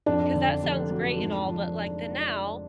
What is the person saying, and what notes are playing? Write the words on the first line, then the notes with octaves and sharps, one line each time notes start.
'Cause that sounds great and all, but like the now,
F2 D4
D3
F1
F#3
G#2
F3